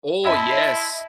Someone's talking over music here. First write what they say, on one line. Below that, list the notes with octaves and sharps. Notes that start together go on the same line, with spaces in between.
Oh, yes.
E4 D#5 E5 A5 B5 C6